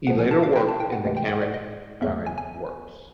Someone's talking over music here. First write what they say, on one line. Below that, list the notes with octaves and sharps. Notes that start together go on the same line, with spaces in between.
He later worked in the Carron Iron Works.
C#2 C#3 F3 F#5
G#5
A5
F5
G5
A5
G5
F#5
D2 C3 E3 G#3
G5
F#5
D5
D#5
E2 C#3 F#3 A3 E5
G#5
G#5